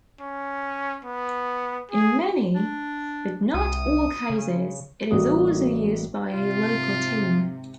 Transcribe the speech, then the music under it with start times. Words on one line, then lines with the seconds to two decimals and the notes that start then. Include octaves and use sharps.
In many, but not all cases, it is also used by a local team.
0.20 C#4
1.05 B3
1.91 G#4
2.55 D4
3.54 C2 D#6
4.30 C#3
5.11 A1 A2 G3 A#3 F#4 D#6
6.34 G#2 C3 F4